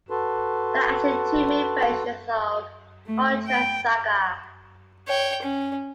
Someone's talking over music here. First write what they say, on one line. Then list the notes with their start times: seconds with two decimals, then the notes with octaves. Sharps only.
There are actually two main versions of "Gautreks saga".
0.10 F#4 A4 B4 A5 C6
3.06 A3
3.47 G5
5.08 C#5 G5
5.43 C#4